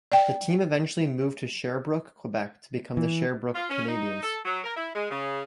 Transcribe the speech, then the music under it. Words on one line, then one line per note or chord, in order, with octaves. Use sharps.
The team eventually moved to Sherbrooke, Quebec to become the Sherbrooke Canadiens.
D5 G5
E3
F4
C#4
D#4
A4
F#3
A#4
E4
G#3
C#3